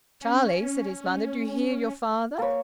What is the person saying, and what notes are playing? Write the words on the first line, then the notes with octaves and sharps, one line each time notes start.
"Charlie," said his mother, "do you hear your father?"
C#4
A#3 C#5